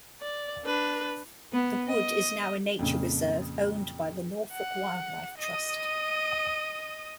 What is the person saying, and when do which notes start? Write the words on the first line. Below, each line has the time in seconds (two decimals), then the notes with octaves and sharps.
The wood is now a nature reserve owned by the Norfolk Wildlife Trust.
0.21 D5
0.64 D4 B4
1.53 B3
1.88 D#5
2.79 F2 A#2 C#3
4.53 F#5
5.38 D#5 D#6